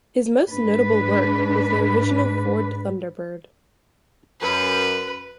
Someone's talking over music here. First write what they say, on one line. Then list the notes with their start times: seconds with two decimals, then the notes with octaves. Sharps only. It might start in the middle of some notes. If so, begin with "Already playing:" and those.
His most notable work was the original Ford Thunderbird.
0.49 G#2 D4 B4
4.41 F#2 B4